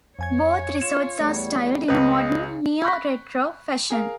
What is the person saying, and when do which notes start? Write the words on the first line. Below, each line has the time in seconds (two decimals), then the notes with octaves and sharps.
Both resorts are styled in a modern, neo-retro fashion.
0.19 F2 C#5 G#5 G#6
0.81 F4 E7
1.21 E2 G3 A3
1.88 C#2 C#3 B4 D#5
2.83 B5 C#6 F#6 G6 A#6 B6
3.90 G#4 A#4 F5